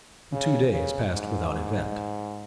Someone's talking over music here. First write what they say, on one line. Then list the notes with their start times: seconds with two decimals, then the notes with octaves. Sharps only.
The two days passed without event.
0.32 C#3
0.72 C#3
1.14 G#2